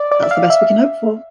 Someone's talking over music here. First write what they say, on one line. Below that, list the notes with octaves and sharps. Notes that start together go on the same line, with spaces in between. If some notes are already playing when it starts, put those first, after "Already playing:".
That's the best we can hope for.
Already playing: D5
D5
E5
F5
E5